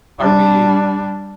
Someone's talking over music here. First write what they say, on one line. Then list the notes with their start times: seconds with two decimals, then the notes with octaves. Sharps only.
are we
0.20 G3 D4